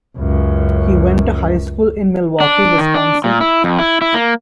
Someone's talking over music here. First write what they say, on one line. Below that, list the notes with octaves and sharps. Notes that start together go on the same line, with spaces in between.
He went to high school in Milwaukee, Wisconsin.
C#2 F#2
D4
D#3
D4
A#2
E4
F2
E4
E4
A#3